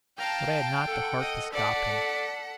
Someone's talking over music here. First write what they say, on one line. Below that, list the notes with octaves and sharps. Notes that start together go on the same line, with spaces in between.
But I had not the heart to stop him.
F5 G5 A5 A#5
A4 F#5
D#5
A4 D5 F#5 B6 C#7